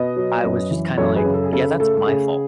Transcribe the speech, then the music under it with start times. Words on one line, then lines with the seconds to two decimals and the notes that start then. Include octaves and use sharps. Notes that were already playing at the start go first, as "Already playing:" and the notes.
I was just kinda like, "Yeah, that's my fault."
Already playing: B2 B3 B4 D#5
0.16 F#3
0.44 F#2
0.71 E3
0.98 F#2 A4 C#5
1.16 G#4 B4
1.25 C#3
1.34 A4
1.44 G#4
1.53 C#3 A4
1.80 A3 A4
1.97 A4
2.07 C#3 G#4